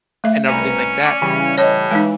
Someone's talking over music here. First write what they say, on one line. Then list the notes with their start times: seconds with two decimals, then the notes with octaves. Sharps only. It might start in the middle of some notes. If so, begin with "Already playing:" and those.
and other things like that?
0.24 A3 E5
0.48 C2 C#4 B4 G#5 A#5
1.05 D5
1.22 C#3 E3 G3
1.58 A2 C#5 D#5
1.91 E3 G#3 D#4